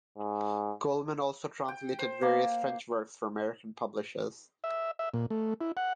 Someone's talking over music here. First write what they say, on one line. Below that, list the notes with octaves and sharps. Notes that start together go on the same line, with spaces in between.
Coleman also translated various French works for American publishers.
G#2
G5
C5
A#3
E5
E5
A#2
A3
E4
F#5